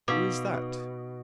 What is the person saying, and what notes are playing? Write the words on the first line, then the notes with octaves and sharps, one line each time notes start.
Who is that?
B2 D#4 F5 D6